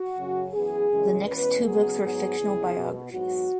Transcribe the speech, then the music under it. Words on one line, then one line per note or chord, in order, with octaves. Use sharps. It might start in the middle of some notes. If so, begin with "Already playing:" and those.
The next two books were fictional biographies.
Already playing: F#4
F#2 C#3 F#3 C#4
F#2 E3 B3 G#4
F#2 C#3 E3 G#3 C#4
E2 B2 G#3 C#4 B4
C#3 F#3 B3 G#4
G#2 F#3 B3
E2 C#3 E3
B2 B3
G#2 F#3 B3 F#4